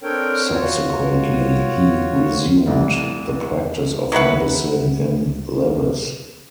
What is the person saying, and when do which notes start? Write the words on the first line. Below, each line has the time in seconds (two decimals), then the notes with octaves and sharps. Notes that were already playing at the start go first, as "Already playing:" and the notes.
Subsequently, he resumed the practice of medicine in Lewes.
0.03 C4 D4 A4 A#4 C#5 G5
0.50 F4 F#4 C#5
2.66 C2 F2 A2 E4 D5
4.12 F#3 E4 B4 F#5